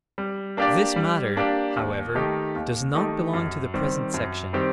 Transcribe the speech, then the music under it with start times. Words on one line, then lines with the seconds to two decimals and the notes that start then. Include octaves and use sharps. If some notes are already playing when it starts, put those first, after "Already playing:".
This matter, however, does not belong to the present section.
0.18 G3
0.57 A#3 D4 G4 D5
0.96 G3
1.36 A#3 D4 G4 D5
1.76 D#2
2.15 D#3 A3 D#4 G4
2.56 D#2
2.95 D#3 A3 D#4 G4
3.34 F#2
3.74 D#3 G3 C4 G4
4.14 F#2
4.53 D#3 G3 C4 G4